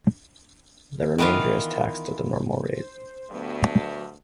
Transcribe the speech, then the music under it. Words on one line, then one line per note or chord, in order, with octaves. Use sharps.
The remainder is taxed at the normal rate.
D#3 E3 B3 F4 F5
C5
D2 G2 B2 F#3 A3 B3